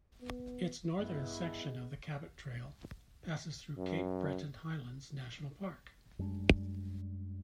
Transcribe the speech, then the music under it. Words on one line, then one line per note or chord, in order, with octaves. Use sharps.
Its northern section of the Cabot Trail passes through Cape Breton Highlands National Park.
B3
G2 G#3 B3 E4
F#2
F#2 G3 G#3 D4